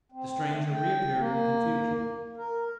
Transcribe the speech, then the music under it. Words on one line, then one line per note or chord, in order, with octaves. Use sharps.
The stranger reappeared in the confusion.
C4
A3
G5
A#3
A#4